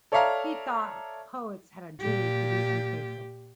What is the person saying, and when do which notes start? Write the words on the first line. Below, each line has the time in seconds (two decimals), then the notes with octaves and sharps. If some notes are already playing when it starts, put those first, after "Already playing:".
He thought poets had a duty to be unfaithful.
0.12 A4 C#5 D5 E5 F5 A#5
2.00 A#2 G4